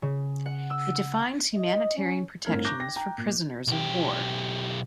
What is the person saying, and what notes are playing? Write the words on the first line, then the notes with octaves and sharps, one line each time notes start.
It defines humanitarian protections for prisoners of war.
C#3
F#5
E6
D#5
C#4
G1 A2 C4 A#4 F6 G#6
A#5 C#6 D6 F#6 G6 A#6
G5 A#6
G5 A#5
A#2
B1 G4